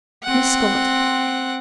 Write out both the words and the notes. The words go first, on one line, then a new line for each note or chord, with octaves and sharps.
"Miss Scott?"
C4 F#5